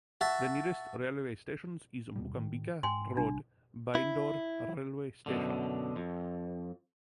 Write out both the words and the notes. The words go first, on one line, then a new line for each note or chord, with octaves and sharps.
The nearest railway stations is Mookambika Road Byndoor railway station.
F#4 E5 A5
D#2 B2 G3
A2 D#3
G#2 G5 G#5 C6
A#1 C3 G3 D4
E4
F#2 B2 D3
F2